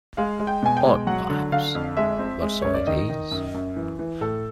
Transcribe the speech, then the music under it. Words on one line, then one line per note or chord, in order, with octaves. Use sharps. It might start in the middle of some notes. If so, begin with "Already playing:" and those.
Odd perhaps, but so it is!
G#3 F5
G#3
G5
B2 G#5
G5
G#3
F#3 F#5
D3
D3 F5
F2
G#3 E5
C4
G#3
F#2 C#5
D5
D#3 D#5
D#3
F#2
F#2
E3
E3
A2 A4